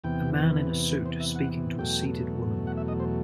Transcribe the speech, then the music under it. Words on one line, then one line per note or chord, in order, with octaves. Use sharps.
A man in a suit speaking to a seated woman.
E2 C3 E3 B3 G5
B4
C5
E5
F#5
E2 B2 F#3 A3 G5
F#5
E5
D#5
C5